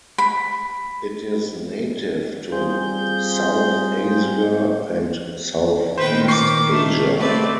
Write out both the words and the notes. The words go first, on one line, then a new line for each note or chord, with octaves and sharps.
It is native to South Asia and Southeast Asia.
B5
G3 C4 F4 G#4 C5 G6
A#2 D#3 B4 C5 G5
C#6 D6 C7
A3
A3 C4 B4 D5